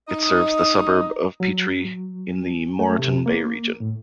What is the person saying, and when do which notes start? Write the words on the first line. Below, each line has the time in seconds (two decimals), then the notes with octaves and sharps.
It serves the suburb of Petrie in the Moreton Bay Region.
0.08 D#4 D#5
1.40 F#3
2.79 A3
2.99 C3
3.26 A#3
3.80 A2